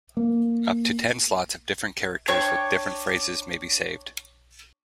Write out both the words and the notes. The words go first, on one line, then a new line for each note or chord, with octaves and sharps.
Up to ten slots of different characters with different phrases may be saved.
A#3
D4 C#5 G5 C#6